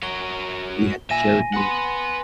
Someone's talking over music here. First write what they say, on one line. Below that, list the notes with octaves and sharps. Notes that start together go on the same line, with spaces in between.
that we had to share with me,
F#4 A#4 C#5 G7
A#2 E5 G#5 A#6 D#7
B4 F#5 C6 A#6